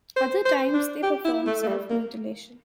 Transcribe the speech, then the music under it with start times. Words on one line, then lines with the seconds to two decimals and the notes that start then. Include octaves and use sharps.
Other times they perform self-mutilation.
0.17 C5
0.46 C5
0.74 D4
1.03 G4
1.25 E4
1.47 A3
1.63 A3
1.68 G3
1.90 A#3